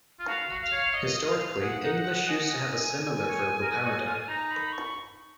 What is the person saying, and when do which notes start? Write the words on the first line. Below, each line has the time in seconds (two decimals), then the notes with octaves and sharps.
Historically, English used to have a similar verbal paradigm.
0.19 F4
0.27 F#4 F5
0.50 F#4
0.61 F5
0.72 C#5
0.94 D#5
1.28 F5
1.61 G#4 F#5
1.84 D#4
2.28 D#5 G#5
2.39 F#5
2.51 G#5
2.57 D#5
3.29 C#5
3.62 A#4
3.84 F#4
4.06 F4
4.28 D#4 A#5
4.51 B5
4.73 C#6